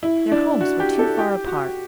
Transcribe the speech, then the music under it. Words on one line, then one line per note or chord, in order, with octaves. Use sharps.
Their homes were too far apart.
E4
D4
F#4
G4
A4
G4
F#4